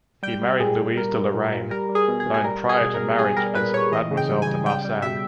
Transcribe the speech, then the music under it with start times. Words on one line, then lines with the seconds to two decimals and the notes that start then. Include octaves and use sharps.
He married Louise de Lorraine, known prior to marriage as "Mademoiselle de Marsan".
0.23 G3 G5
0.42 G3
0.60 A#2 G#4
0.79 A#2
0.97 G3 A#4
1.15 G3
1.34 A#2
1.52 A#2
1.71 G3 A#4
1.89 G3
1.95 G#4
2.08 B2
2.20 G#4
2.26 B2
2.34 G#4
2.44 G3 A#4
2.63 G3
2.69 G#4
2.81 B2
2.94 A#4
3.00 B2
3.18 G3 G#4
3.37 G3 A#4
3.55 A#2 B4
3.74 A#2 C#5
3.92 E3 D#5
4.11 C#3
4.17 G5
4.29 G3
4.42 G#5
4.47 C#3
4.66 G3 G5
4.85 G3
5.02 B2 E5